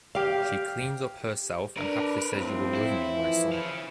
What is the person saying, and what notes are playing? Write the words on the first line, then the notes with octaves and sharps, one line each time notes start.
She cleans up herself and happily says you were with me, my son?
G4 F5
D4 A#4 B4
A2 F3 C4
E4
E3 F3
C#5 F5